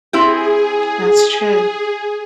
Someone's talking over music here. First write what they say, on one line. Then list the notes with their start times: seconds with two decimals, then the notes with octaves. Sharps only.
That's true.
0.13 C4 E4 G4 G#4